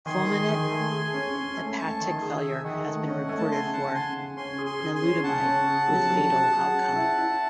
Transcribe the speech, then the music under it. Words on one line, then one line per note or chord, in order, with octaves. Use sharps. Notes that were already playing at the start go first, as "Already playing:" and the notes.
Fulminant hepatic failure has been reported for nilutamide, with fatal outcome.
D#3 G#5 C6
G#4
D#3
A3
G#4
C#4
C#4
A3
A3 A5 C#6
D#3
G#5 C6
G#4
E5 G#5
G#4
D#3 D#5 F#5
A3
C#4
A3 G#5
A5
C#3 G#5 C6
C#3 F#5 A5
C#3 G#5 C6
C#3
C#4 G#5 C6
G#4
G#5 C6
G#4
G#5 C6
C#4
C#3 F#5 A5
C#4
G#4
F#3
F#3
G#4
G#4
C#4
E4
E4